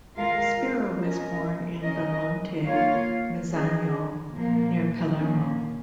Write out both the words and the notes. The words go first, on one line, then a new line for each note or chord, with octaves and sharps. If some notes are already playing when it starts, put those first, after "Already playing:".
Spera was born in Belmonte Mezzagno, near Palermo.
G#3 F4 A#4 F5
C#4 A#4 D#5
C#4 A#4 D#5
A#3 F4 C#5 F5
F3 C#4 G#4 D#5
A#2 F3 A#3
A#2 F3 A#3 C#4